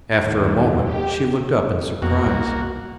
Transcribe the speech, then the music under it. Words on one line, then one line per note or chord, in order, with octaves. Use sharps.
After a moment she looked up in surprise.
D#2
G4
F2 A#3 F#4
C2